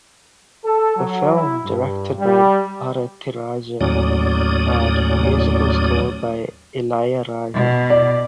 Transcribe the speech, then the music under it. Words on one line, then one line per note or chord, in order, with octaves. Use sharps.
The film directed by Bharathiraja had musical score by Ilayaraja.
A4
F#3
E4
G2
G3
D#2 A2 F#3 C#4 D5 D#6
B2
D5